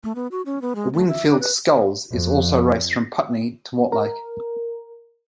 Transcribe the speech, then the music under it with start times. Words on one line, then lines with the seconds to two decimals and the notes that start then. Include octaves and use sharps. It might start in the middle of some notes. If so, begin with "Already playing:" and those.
The Wingfield Sculls is also raced from Putney to Mortlake.
0.04 A3
0.16 B3
0.31 F#4
0.46 C#4
0.62 B3
0.76 G#3
0.94 A3
1.08 E5
1.27 D4
1.40 B4
2.10 F2
3.92 A#4